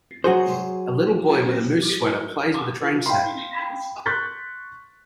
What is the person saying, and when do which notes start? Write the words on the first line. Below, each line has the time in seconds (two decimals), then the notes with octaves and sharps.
A little boy with a moose sweater plays with a train set.
0.24 F#3 F#4 G#4 C5
3.06 F5 G5 B5 C6
4.06 C6 C#6 F#6 G6 A6 B6